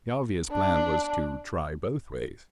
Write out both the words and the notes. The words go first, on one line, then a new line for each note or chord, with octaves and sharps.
The obvious plan was to try both ways.
D4